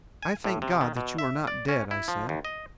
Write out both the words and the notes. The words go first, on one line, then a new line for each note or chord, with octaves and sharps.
"I thank God that you are not dead," I said.
G#5
A2
C3
D#3
B2
E5
D5
C#4
E4
F3
D#2
D#5